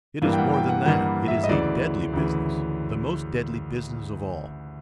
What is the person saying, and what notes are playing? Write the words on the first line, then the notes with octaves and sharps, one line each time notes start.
It is more than that; it is a deadly business, the most deadly business of all.
G2 E3 G3 A#3 F5
G5
F#5
G5
F#5
G2 E3 G3 A#3 F#5
E5
D#5
D2 C#3 E3 D5
D2 C#3 E3